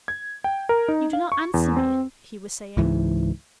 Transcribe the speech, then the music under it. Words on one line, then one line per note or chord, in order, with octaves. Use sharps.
"You do not answer me," he was saying.
G#6
G5
A#4
D#4
F5
C#6
E2
C4
C#2 G#2 E3